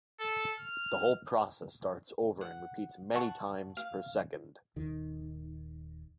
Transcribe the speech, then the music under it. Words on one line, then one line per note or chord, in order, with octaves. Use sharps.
The whole process starts over and repeats many times per second.
A4
F6
F#5
F#5 A5 C#6
F5
D#1 D#3